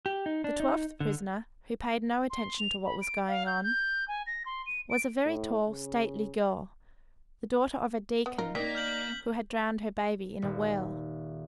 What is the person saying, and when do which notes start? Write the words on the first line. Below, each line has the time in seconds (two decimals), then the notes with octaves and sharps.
The twelfth prisoner, who paid no attention to what was going on, was a very tall, stately girl, the daughter of a deacon, who had drowned her baby in a well.
0.06 G4
0.26 D#4
0.44 D4
0.60 D#4
1.00 D3
2.30 C6
2.58 F7
2.85 B5
3.01 D7
3.28 F5
3.46 G6
3.63 G6
4.08 G#5
4.27 A#6
4.46 C6
4.66 D#7
4.90 D7
5.26 A2
5.68 C#3
8.26 B3
8.38 D#4 F4 A#4
8.55 D#3 A#3 D#4 D5 B6
8.75 F6 G6 F#7
10.42 D#1